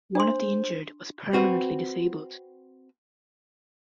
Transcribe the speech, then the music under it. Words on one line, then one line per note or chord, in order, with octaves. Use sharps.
One of the injured was permanently disabled.
D4 C5 C6
C4 F#4 B4